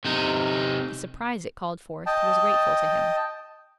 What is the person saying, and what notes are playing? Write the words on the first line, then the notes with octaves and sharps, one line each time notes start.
The surprise it called forth was grateful to him.
C3 D#4
D#5 G5 A5